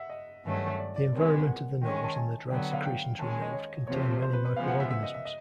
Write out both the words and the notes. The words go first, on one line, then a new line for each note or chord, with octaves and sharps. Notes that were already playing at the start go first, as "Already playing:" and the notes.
The environment of the nose and the dried secretions removed contain many microorganisms.
Already playing: E5 F#5
D#5
G2 D#3 F#3 A3 C#4
D5
D5
C3 D#3 G#3 B3 C#5
F#5
D#3 G#3 C#4 G5
G#5
A5
G#5
D3 F#3 B3 G5
F#5
F5
G5
D#3 G#3 C#4 A5
G#5
D#5
C#5
E2 C3 F3 A3 C4 C#5
C5
B4
B4
C#3 F3 G#3 B3 F5
F#5
E5
E5
D#5
E5
D#5